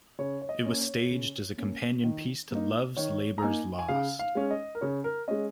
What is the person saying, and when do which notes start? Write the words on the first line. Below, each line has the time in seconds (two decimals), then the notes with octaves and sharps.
It was staged as a companion piece to "Love's Labour's Lost".
0.19 C#3 C#5
0.42 C#5
0.49 D#5
0.66 A#3 C#4
0.81 C#5
1.11 C#3
1.58 A#3 C#4
2.04 D#3
2.51 A#3 D#4
2.97 D#3 C#5
3.38 A#5
3.42 A#3 D#4 G#5
3.79 G#5
3.88 C#3 F5
4.19 F5
4.35 G#3 C#4
4.51 D#5
4.75 A#4
4.81 C#3 C#5
5.04 A#4
5.28 G#3 C#4 D#5